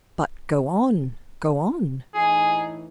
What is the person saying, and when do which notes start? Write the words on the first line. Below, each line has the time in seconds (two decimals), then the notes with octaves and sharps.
But go on, go on.
2.15 A2 E3 D#4 G#4